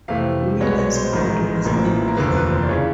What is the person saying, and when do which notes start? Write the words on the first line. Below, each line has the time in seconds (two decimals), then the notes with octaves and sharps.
Milne's body was never found.
0.08 F2 C3 E3 A3 F5
0.60 C2 B2 G#3 B3 C#5
0.78 C#5
0.95 C5
1.13 A1 G#2 D#3 G#3 A#4
1.65 A1 A2 F3 A#3
2.08 A#4
2.17 F1 D#2 D3 F3 A#3 B4
2.35 B4
2.53 C5
2.62 D5
2.69 C#3 E3 C#5